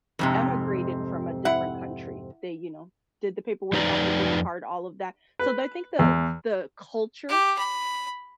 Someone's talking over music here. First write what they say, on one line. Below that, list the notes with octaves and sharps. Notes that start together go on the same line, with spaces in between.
emigrated from a different country. They, you know, did the paperwork, got their green card, all of that, so, th I think the the culture
F2 G#2 C3
E4 F#5
F2 D#4 B4 D5 A#5
B4
E2
G4
B5